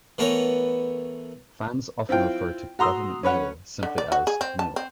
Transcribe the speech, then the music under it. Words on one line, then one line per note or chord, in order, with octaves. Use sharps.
Fans often refer to Gov't Mule simply as "Mule".
E3 A3 B3 A#4 C#5
C4 E4 F4 G5
F#4 A#5 C6 D#6 E6
C#4 B4 C#5 F#5
D3
D5
F#4
G#4
C4
A5
C4